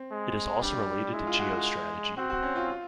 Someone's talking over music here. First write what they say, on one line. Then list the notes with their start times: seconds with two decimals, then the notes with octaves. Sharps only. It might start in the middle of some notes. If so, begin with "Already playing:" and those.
It is also related to geostrategy.
Already playing: C4
0.11 G#3
0.62 G3 D4
1.13 G#3 E4
1.27 F4
1.39 F#4
1.53 F4
2.17 C4 F#4
2.30 F#4
2.43 C#4
2.56 F4
2.68 F4